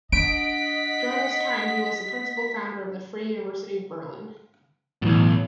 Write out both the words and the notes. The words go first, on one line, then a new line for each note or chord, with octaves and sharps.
During this time, he was the principal founder of the Free University of Berlin.
D4 D#5 F#5 B6 D7
B1 F#2 A2 E3